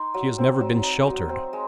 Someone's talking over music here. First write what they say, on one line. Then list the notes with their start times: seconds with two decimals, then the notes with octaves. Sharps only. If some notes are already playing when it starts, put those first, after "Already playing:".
She has never been sheltered.
Already playing: D#4 C6
0.14 F#3
0.38 C4
0.60 F#3
0.83 D#4
1.07 F#3
1.29 C4
1.53 G#3